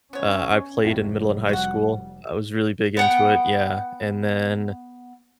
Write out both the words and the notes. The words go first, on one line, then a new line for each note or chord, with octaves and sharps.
Uh, I played in middle and high school, I was really big into it, yeah, and then,
B3 C#4 C#5
F1 F2 A2 G3
F#4 F#5
B3 F#5 G5